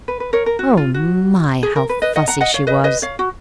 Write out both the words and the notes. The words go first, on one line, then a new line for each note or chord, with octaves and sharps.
Oh my, how fussy she was!
B4
B4
A#4 C#5
A#4
F#4
F4
F#4
G#4
A#4
B4
B4 D#5
D#5 F#5
F#5 A#5
D#5 F#5
C#5 F5
B4 D#5
B4 D#5
C#5 F5
F#4